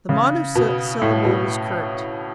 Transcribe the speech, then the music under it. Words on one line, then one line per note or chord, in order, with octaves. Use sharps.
The monosyllable was curt.
C#3
B2
A2
B2